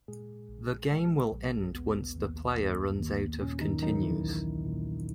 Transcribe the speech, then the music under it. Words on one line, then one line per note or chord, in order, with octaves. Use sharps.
The game will end once the player runs out of continues.
A#2 G#3 G#4
A#1
G#3
A#1
D#2 B3
D#2
D#2
D#2
A#2 C#4
D#3 D#4
D#3 F#3 D#4
E3 E4
B1
A#2